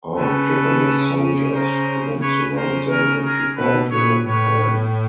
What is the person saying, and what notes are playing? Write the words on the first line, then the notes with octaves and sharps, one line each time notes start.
Armed Japanese soldiers then surround them and prepare to open fire.
C#3 A4 B4
A#4 C5
C#3 B4 C#5
A#4 C5
G#4 A#4
G#4 A#4
B2 A4 B4
A#2 B4 C#5
A2 B4 C#5